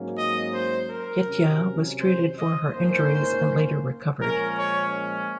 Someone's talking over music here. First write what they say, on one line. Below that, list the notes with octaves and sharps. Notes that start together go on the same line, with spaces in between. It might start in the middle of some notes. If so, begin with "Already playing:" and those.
Ghetia was treated for her injuries and later recovered.
Already playing: G#2 F#3 A#3 C#4
D#5
C5
A#4
C3 F#3 C#4
C5
D#5
G#2 D#3 A#3 C#4 C5
A#2 F3 G#3 C#4 A#4
C#5